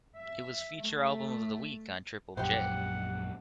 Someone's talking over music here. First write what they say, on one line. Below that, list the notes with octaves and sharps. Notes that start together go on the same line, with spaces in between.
It was Feature Album of the Week on Triple J.
E5
A3
A#1 F#2 G4 C5 F#5